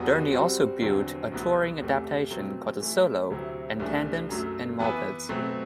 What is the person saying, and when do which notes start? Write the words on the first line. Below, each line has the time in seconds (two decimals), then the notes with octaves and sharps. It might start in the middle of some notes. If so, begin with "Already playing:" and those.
Derny also built a touring adaptation called the 'Solo' and tandems and mopeds.
Already playing: E2 C3 F#3 B3 F#4
0.31 G3 C4 F#4 C5
0.81 E2 D3 F#3 C4
1.32 C2 B2 F#3 B3
1.81 E2 C3 E3 A3 E4
2.30 B2 F#3 A3 C4
2.80 E3 A3 E4
3.30 D2 C3 F#3 C4 E4
3.80 C2 C3 E3 A3 D4
4.29 F#2 F#3 A3
4.79 E3 B3 E4 B4 E5
5.29 B2 F#3 A3 C4